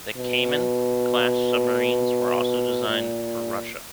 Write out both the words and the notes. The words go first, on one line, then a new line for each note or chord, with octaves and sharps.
The "Kaiman"-class submarines were also designed for Russia.
B2
A#2